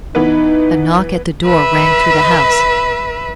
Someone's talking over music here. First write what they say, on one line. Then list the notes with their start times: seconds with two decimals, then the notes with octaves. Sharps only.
A knock at the door rang through the house.
0.15 E3 B3 D#4 B4
1.45 B4 E5